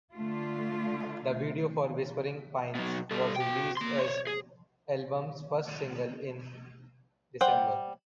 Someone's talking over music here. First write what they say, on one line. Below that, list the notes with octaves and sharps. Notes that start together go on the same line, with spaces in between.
A video for "Whispering Pines" was released as the album's first single in December.
D3 A3 F4
B2 F#3
G3 A4
F#4 G5
A#3 C6
C5 C#5
G#4
G3 C5 F#5 G5